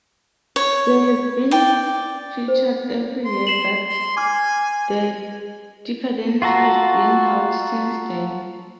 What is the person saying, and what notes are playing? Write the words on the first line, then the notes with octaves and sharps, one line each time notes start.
They have been featured every year that the Decadence has been held since then.
C#5
D5 G5
C5
C6
C7 E7 F#7
C6
G#5 D6 F6
F4 F#4 A4 A#5